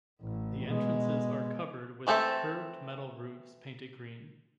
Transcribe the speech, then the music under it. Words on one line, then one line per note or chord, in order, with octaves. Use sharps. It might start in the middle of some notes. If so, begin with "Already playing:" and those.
The entrances are covered with curved metal roofs painted green.
A1
B2 G#3
E3 A3 C4 A4 E5